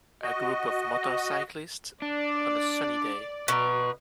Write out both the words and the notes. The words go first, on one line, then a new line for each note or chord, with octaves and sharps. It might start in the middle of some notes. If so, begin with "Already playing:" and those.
A group of motorcyclists on a sunny day.
F#4 D#5
D4 D5
B2 B4 A#5